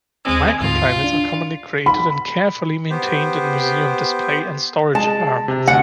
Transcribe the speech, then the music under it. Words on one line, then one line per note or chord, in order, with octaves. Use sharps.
Microclimates are commonly created and carefully maintained in museum display and storage environments.
D#2 G#3 C4 E6
D2 G#2 F4
D4
B5
B3 G4 C5
G#3 A5
C3
D2 F#5